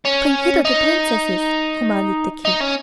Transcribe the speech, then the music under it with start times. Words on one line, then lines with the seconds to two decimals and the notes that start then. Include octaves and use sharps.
"Bring hither the princesses," commanded the King.
0.05 C#4
0.65 D#4
2.45 D#4
2.61 C#4